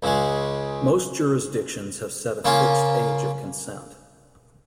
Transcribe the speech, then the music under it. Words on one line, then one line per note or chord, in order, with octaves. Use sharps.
Most jurisdictions have set a fixed age of consent.
C#2 C#3 G#3
C#3 A#3 C#4 F4